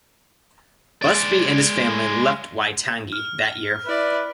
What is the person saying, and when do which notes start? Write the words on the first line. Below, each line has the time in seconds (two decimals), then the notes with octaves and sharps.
Busby and his family left Waitangi that year.
1.02 G#3 D5
3.13 F6
3.86 E4 B4 D5